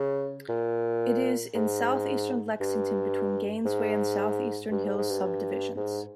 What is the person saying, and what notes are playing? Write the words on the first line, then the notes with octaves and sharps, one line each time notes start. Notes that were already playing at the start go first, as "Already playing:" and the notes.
It is in southeastern Lexington between Gainesway and Southeastern Hills Subdivisions.
Already playing: C#3
A#2
G#2
G2
G#2
G2
G#2
G#2
G2
G#2